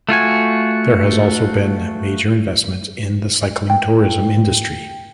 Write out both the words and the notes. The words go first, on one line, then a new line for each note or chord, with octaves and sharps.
There has also been major investment into the cycling tourism industry.
A3 F4 F#4 G#5
G5